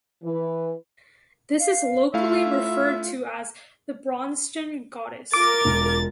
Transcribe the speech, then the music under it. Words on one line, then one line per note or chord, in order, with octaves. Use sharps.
This is locally referred to as The Braunston "Goddess".
E3 B4
F5
A3 E4 F4 E5 F5
F4 A#4 D6 A6
E1